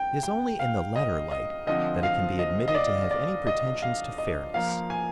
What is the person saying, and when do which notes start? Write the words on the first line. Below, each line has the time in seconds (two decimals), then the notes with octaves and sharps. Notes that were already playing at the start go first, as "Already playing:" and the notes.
It is only in the latter light that it can be admitted to have any pretensions to fairness.
Already playing: G5
0.23 G5
0.59 F5
0.96 D#5
1.31 D#5
1.67 D3 F3 C4 D#5
2.03 F5
2.39 D#5
2.68 D#5
2.75 D5
3.11 D5
3.47 D#5
3.82 F5
4.18 D#5
4.54 F3 A#3 F4 F5
4.90 G#5